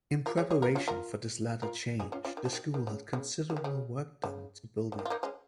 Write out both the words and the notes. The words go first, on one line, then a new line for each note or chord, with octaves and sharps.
In preparation for this latter change, the school had considerable work done to buildings.
F4 A#4
G#4 C#5
G#4 C#5
F4 A#4
C#4 F4
F4 A#4
F4 A#4
D#4 G#4
C#4 F4
C#4 F4
D#3
F3
D#3
D#3
C#3
C#3
C#3
D#3
C#3
C#3
C#3
D#3
F4
A#3 D#4
G#3 C#4